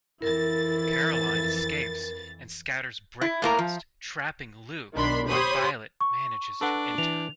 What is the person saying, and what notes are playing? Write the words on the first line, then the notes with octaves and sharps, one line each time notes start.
Caroline escapes and scatters brick dust, trapping Luke but Violet manages to enter.
F2 E3 E4 A#4 A6
E4
A2 A#3 A#4
F3
B1 D#3 D4 B5 C6
G4 C5 C#5 B5 C6 D#6
C#6
D4 A4 B4 F#5
E3 F7